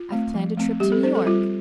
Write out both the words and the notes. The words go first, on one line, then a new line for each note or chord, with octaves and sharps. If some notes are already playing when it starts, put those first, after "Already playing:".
"I've planned a trip to New York."
Already playing: F4
A3 C4
F3
A3 C4
G3 G4
A4
C4 C5
A4
G3 F4